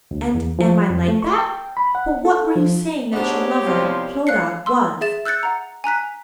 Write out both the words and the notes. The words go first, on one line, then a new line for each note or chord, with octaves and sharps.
And am I like that?--but what were you saying that your lover, Clodagh, was?'
D2
E2
F3
F2
A3
C#6
G5
B5
F#5
A4
F3
G#2 A3 B3 D4 G4 C5 C#5
C2 F3 C4
F5 F#6 C7 C#7
C6 E6
G#4 E5 A6 E7
E6 F#6 G6 A6 C#7
F#5 A#5
G#5 A#5 F#6 B6